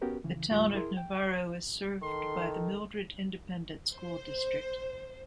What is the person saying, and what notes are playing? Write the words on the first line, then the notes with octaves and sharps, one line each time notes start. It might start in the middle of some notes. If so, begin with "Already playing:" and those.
The Town of Navarro is served by the Mildred Independent School District.
B3 C#4 F#4 G4 A#4 B4
C#3 E3
D#2 A2 G3 F4 C#6
E4 G#4 A#4 C6
G5
D#3 A4 C6
C5